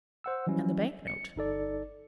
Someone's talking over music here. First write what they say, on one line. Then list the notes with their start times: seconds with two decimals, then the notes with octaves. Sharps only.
"And the bank-note?"
0.24 C5 F#5 E6
0.47 E3 F#3 G3 C#4 E4
1.08 C#7
1.36 G1 D#4 A4 D5